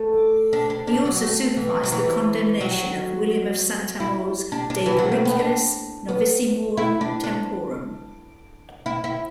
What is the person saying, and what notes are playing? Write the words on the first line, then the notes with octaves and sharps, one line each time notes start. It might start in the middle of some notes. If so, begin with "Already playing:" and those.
He also supervised the condemnation of William of Saint Amour's "De periculis novissimorum temporum".
Already playing: A3
D4
D4
D4
F#3
A3
E3
F#3
E3
F#3
E4
D4
D4
E3
F#3
A3
B3
D4
B3
E4
D4
D4
E4
E4